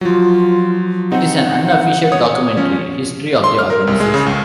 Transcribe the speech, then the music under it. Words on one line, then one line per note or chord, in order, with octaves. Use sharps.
It is an unofficial documentary history of the organization.
F3 F#3 F4
C4 D#4 F#5
C#5 D#6
F3 C#4
C6
F6
A#4
C2
G#3
C#3
C#2